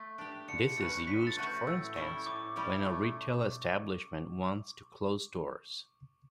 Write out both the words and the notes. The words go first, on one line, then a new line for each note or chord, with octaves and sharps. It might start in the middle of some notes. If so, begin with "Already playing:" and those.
This is used, for instance, when a retail establishment wants to close stores.
Already playing: A3 B6
D4 G4
D3 C#7
C#7
A3 C#4 F#4 B4
C#7
D3 B6
A6
A3 C#4 F#4 B4
G6
A2 E6
G3 C#4 E4 A4 C#6
A2 D6
G3 C#4 E4 A4
A3